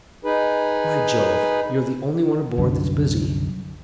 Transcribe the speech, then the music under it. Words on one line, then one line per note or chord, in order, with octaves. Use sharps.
By Jove! you're the only one aboard that's busy.
D#4 G#4 B4
C2 F#2 D3